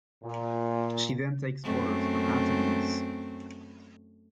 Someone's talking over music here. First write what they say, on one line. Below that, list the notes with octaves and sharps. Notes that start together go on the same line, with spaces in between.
She then takes orders from attendees.
A#2
F#2 A3 C4